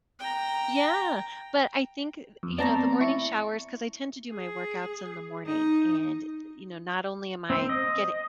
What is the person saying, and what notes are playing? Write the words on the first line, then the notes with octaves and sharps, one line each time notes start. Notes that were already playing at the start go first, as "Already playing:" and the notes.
Yeah. But I think, you know, the morning showers 'cause I tend to do my workouts in the morning, and, you know, not only am I getting
G5 A#5
F2
A3 B3 C4 D5 A5 A#5
E4 C#6
G#4
D#4
C4
D#5